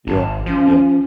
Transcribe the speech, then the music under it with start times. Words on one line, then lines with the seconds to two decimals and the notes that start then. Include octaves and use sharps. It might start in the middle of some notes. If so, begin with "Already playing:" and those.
Yeah, yeah.
0.07 G#1 A5
0.46 F3 C#4